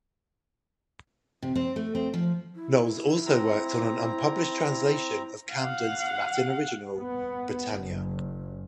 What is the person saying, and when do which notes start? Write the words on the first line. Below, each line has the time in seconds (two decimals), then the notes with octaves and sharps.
Knolles also worked on an unpublished translation of Camden's Latin original, Britannia.
1.42 C3
1.55 C4
1.76 A3
1.95 C4
2.14 F3
2.55 E4
3.27 C4 A#5
5.52 F5 F#5
6.96 B3
7.70 F#1